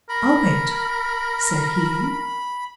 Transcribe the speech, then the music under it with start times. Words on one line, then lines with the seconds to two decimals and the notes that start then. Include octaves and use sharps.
"Owe it?" said he.
0.09 A#4 B5